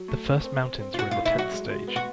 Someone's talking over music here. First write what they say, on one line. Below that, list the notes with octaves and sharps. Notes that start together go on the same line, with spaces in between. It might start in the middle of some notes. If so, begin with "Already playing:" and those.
The first mountains were in the tenth stage.
Already playing: F#3
A3
C4
C4
C4
C4
F4
A2 F#4
A2 F4
E4
F#3 F#4
G#3
G#3
B3
F#4